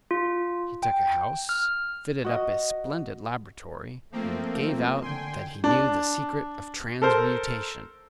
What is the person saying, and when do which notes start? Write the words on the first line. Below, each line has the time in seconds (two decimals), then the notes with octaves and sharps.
He took a house, fitted up a splendid laboratory, and gave out that he knew the secret of transmutation.
0.11 F4
0.83 G5
1.49 F6
2.24 F#4 D#5
4.12 F3 A3 A#3 C4
5.02 D3 G5 G#5 C6
5.64 D4
7.02 A4 A#4 C5